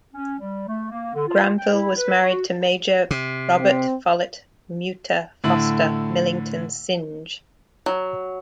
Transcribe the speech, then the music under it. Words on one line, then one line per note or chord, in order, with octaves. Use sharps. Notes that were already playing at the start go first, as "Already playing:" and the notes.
Granville was married to Major Robert Follett Muter Foster Millington Synge.
C#4
G3
A3
A#3
D3
F4
G5
E4
B4
F#4
C3
C4
A2 D3 E4 F#7
F#3